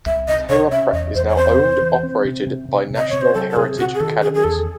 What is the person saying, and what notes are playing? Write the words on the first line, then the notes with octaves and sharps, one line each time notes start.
Taylor Prep is now owned operated by National Heritage Academies.
C2 E5
C3 D#5
C3 C#5
C#4 E5
E2 D#5
E2 C5
C#5
C4 C5
C3
E3
C4
C3
C3
C3
C3
D#5
C3 C#5
C5
F#3 A4
A4
C3 G#4
C3 F#4
G#4
D#3 A4
C#4 G#4
G#4
E2 A4